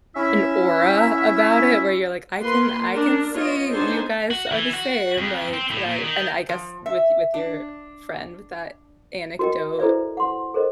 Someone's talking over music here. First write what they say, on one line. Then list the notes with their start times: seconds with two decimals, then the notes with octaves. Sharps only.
an aura about it where you're, like, "I can I can see you guys are the same," like, that, and I guess with with your friend with that anecdote,
0.16 C#4 E4 E5
2.41 A#3 F4 B4 C6
2.91 D4 A#4
3.33 B3 F4 C#5 D#5
3.72 B3 D4 D#4 A4 C5 G#5
4.31 F#4
4.52 E3
4.74 F#4
5.18 F2
5.53 C4
5.71 A2
5.86 A#2
6.03 D#3
6.49 F3
6.86 E5
7.34 D4
9.39 F#4 A#4 D#5 G5
9.79 E4 A4 B4 C5 D5 E5
10.17 F#5 C6
10.54 A4 A#4 C5 D#5